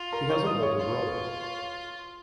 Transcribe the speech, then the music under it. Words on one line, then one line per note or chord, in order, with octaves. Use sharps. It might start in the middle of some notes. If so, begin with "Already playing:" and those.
She has an older brother.
Already playing: F4
A#4 A#5
C#5 C#6
D#5 D#6
C#5 C#6
F4